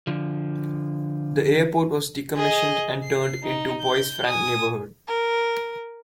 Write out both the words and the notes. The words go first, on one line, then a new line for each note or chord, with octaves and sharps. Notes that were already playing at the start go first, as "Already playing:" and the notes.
The airport was decommissioned and turned into the Bois-Franc neighbourhood.
D3 F3
G#4 D#5
C7
D#4
G6
G#5 D#6
A#4